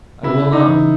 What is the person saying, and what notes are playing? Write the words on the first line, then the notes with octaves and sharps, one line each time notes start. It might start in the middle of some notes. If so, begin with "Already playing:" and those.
"I will not."
C#3 E4
D#4
E3